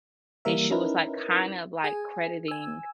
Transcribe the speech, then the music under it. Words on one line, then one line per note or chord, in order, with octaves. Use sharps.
and she was like kind of like crediting,
E3 G3 A#3 A#4 E5
C#4 D#4 E4 A#4 B4
G#4 G#5
G#5 E6